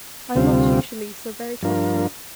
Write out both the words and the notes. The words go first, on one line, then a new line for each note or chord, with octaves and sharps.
I am not usually so very talkative.
D2 C3 G3 C4 F4
G2 F3 D4 F4 A#4